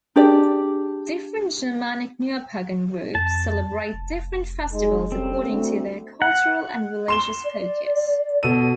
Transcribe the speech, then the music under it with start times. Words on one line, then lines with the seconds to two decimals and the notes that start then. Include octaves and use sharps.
Different Germanic Neopagan groups celebrate different festivals according to their cultural and religious focus.
0.16 D4 G4 G#4 D5
3.15 F2 A5
3.93 F1
4.73 G#3 D#4 G#4
5.12 G3 C4 C#4 A4
5.48 D2
6.22 F#5
7.08 C6 E7 G7
7.45 D5
8.43 B2 A4 D#7